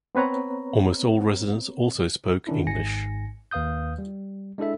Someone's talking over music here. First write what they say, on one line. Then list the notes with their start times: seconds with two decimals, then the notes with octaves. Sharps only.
Almost all residents also spoke English.
0.15 B3 C4 B4 C#5 A#5
2.47 D#3 C#4 D4 E4
2.67 G#1 G#2 G#5 A#6 C#7
3.51 D#2 B4 F5 D#6 G6
3.98 G3
4.58 G#3 D4 E4 A4 E5